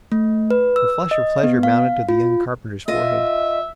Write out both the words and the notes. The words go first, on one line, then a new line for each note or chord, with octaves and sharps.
The flush of pleasure mounted to the young carpenter's forehead.
A3
B4
E6
D#5
B3
F5
F4
F4 D#5 E5